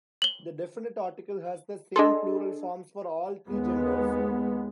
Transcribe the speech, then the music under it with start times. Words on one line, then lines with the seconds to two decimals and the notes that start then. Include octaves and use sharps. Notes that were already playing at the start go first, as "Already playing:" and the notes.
The definite article has the same plural forms for all three genders.
0.22 F#7 G7
1.96 D4 G#4 A4 D#5 C6
3.48 D#2 G#3 B3